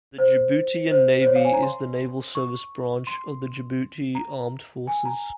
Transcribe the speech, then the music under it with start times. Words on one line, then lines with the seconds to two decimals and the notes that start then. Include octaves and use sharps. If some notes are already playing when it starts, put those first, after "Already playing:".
The Djiboutian Navy is the naval service branch of the Djibouti Armed Forces.
0.18 C5
0.91 C5
1.21 C5
1.27 C#5
1.36 F5
1.45 G#5
1.54 A#5
1.63 C6
2.35 C#6
3.07 C6
4.15 A#5
4.87 G#5
5.05 A#5